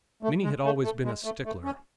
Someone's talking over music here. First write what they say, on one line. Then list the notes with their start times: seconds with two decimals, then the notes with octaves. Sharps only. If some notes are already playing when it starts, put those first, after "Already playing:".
Minnie had always been a stickler.
0.23 A3
0.43 G#3
0.64 A3
0.84 A3
1.05 G#3
1.24 A3
1.45 A3
1.65 C#4